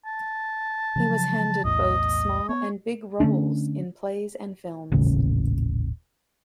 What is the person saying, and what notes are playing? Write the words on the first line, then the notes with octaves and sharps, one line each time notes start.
He was handed both small and big roles in plays and films.
A5
C#3 F3 F#3
B1 E2 A2 D#5
B3 C#5
D3 A3 C#4 D4
D#1 A1 C#3